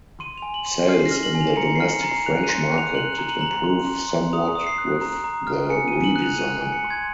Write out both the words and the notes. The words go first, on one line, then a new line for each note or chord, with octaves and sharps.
Sales in the domestic French market did improve somewhat with the redesign.
C6 D#7
G#5 F7
F#7
C6
F6 C7
C7
A#6
F6
F#7
G#5
F7
A#5 C#7
C7
F6
C#7
A#5
C7
F#6 F7
D#7
C6
C#7
F#6
F7
F#6 F#7
F7
A#5
F#7
A#5 F#7
F7
C6
C6
C6
D#6 F7
D#6
C7
F#6
A#5
A#5
F6
G#5 C#7
D#7
G#5
F#7
F#6
F7
F#6 D#7
G#5
C#7
C6
G#6